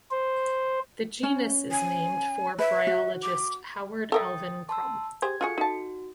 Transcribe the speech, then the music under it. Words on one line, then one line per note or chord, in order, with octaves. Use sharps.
The genus is named for bryologist Howard Alvin Crum.
C5
C#4
G#5
B4 E5
F#4
D6
A4 A#4 E5 G5 D#6 A6
A5 C6 E6
G4 G#4 C5 G#6
F4 F#4 G#4 A4 C#7
D#4 F#4 A5